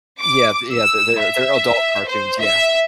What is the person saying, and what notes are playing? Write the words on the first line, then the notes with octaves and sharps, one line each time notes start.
Yeah th yeah, they're they're adult cartoons, yeah.
D6
E6
E5
C5
E5